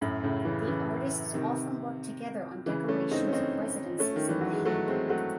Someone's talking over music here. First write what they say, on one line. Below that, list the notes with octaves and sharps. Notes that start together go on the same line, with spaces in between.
The artists often worked together on decorations of residences in The Hague.
F#2 A2
A2 C#3
C#3 E3
C#3 E3
C3 D#3
C#3 E3
A3 C#4
C4 D#4
C#4
C4 D#4
A3 C#4
D#3
E3
F#3
G#3
F#3 A3
G#3 C4
F#3 A3